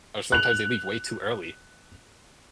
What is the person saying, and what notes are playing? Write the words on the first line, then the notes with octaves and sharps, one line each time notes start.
or sometimes they leave way too early.
F#6 F7